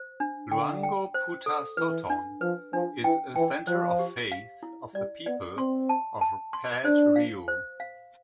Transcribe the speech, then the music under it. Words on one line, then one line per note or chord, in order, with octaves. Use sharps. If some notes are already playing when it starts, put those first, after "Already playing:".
"Luangpho Phuttha Sothon" is a centre of faith of the people of Paet Riu.
Already playing: C5
D4
D3 G5
G5
C5
A4
E3 B4
D4
F3 B4
F3 D4
E3 G5
E3 G5
F3 C5
G4
F5
E4
G3 D5
B3 D5
C4 C6
A5
A5
C6
D4 C5
F5
C5
F5